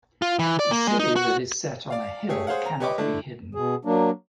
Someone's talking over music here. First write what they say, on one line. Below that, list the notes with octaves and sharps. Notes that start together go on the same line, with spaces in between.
A city that is set on a hill cannot be hidden.
F4
E3
D5
A#3
G#3
D#4
F#4
D5 F5
A3 G4 G#4 C#5
G#4 C5 C#5 F5 F#5
A#5
G4 B4 C#5 D#5 G5 D6
D3 A3 D4 E4
B2 G#4
F#3 A#3 D4